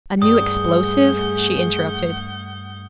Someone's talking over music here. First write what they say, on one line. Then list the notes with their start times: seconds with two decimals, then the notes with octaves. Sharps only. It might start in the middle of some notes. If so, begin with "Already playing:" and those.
'A new explosive?' she interrupted.
0.22 G2 A3 G#4 F#5 D#6 G6